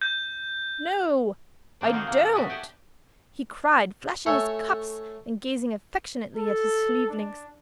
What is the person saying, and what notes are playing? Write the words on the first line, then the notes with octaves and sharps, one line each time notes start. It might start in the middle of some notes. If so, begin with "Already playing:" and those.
'No, I don't,' he cried, flashing his cuffs and gazing affectionately at his sleeve-links.
G6
D#3 F3 A#3 C4 D4
D3 D#4 F4 F#4 G#4
A#3
D5 F#5
A3 B3 F#4 B4 D#5
D4 G4 F#5 G#5 A5
A3 A4 C#5 E5 G#5
A4
D4